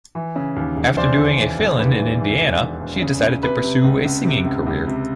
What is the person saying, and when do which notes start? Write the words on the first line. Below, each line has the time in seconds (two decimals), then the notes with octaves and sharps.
After doing a fill-in in Indiana, she decided to pursue a singing career.
0.15 E3
0.36 C#3
0.56 D#2
0.76 E1
0.97 E3 C5 D5
1.18 C#3
1.38 E3
1.59 E1
1.79 D#2 B4
1.99 E3
2.20 E3
2.40 E1
2.61 E3
2.81 E1
3.02 C#3
3.22 C#3
3.43 C3 B4
3.63 C3
3.84 C#2
4.05 C#2
4.25 C3
4.45 C#2
4.66 C#2
4.87 C3